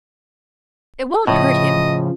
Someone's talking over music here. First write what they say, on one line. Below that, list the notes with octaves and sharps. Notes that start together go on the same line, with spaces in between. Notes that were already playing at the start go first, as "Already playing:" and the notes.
"It won't hurt him."
A2 C#3 F3 D#5